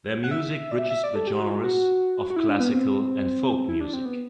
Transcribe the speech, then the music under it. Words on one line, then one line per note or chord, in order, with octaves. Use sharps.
Their music bridges the genres of classical and folk music.
F#5
E5
D5
E5
E5
D5
A4
G4
F#4
E4
F#4
F#4
F#4
E4
D4
B3
C4
E4
D4
C4
B3